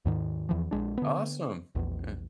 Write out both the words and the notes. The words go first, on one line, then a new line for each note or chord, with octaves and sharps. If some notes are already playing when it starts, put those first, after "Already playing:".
Awesome. Eh.
D#2 G#2 D#3
E2 E3 F3
A#1 G#3 D4
D3 B3
A#1 E2